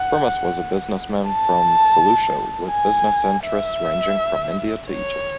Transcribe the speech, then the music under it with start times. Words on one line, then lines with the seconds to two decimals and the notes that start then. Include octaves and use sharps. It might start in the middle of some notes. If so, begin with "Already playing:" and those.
Firmus was a businessman from Seleucia, with business interests ranging from India to Egypt.
Already playing: F#5
1.26 A5
2.71 G#5
3.44 E5
4.90 C#5